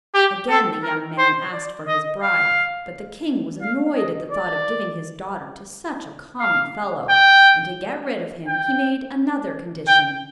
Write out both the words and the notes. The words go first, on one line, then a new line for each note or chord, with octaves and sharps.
Again the young man asked for his bride, but the king was annoyed at the thought of giving his daughter to such a common fellow, and to get rid of him he made another condition.
G4
A4
A#4
C5
D5
D#5
F5
F5
D#5
D5
F5
G5
G5
G5